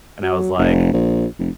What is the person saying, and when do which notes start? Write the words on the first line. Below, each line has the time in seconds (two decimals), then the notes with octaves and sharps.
and I was like,
0.23 F#3
0.58 F1
0.93 A#1
1.39 F1